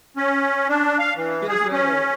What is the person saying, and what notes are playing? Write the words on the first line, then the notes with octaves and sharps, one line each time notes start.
Yes, ma'am.
C#4
D4
F5
E3
G#4
C#4